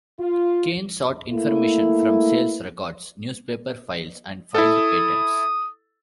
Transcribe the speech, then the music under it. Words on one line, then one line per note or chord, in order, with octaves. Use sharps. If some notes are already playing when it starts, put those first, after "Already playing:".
Kane sought information from sales records, newspaper files, and filed patents.
F4
A3 A#3 E4
E4 A4 D#6